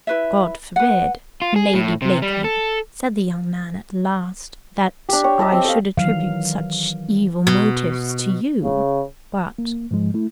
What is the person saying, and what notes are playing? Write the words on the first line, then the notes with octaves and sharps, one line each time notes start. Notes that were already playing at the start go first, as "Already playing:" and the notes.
"God forbid, Lady Blakeney," said the young man at last, "that I should attribute such evil motives to you, but . . ."
E4 B4 E5
B4 F#5
F4
G#4
A2
C3
G3
A4
D4 G4
C#5 G5
G4 D#5 E5 A5
C4
A4 F5
D#3 E3 F#3 F5
B2
C#3
A#3
G#2 F3 G#3
A3 E4